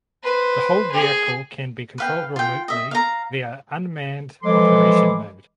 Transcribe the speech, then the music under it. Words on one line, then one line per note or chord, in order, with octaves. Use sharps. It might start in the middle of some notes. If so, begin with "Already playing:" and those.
The whole vehicle can be controlled remotely via unmanned operation mode.
B4 C5
G#4
B4 F5 G5
F4 G5
D#5 E5
F5 A#5
E3 F3 G#3 A4 C6 D6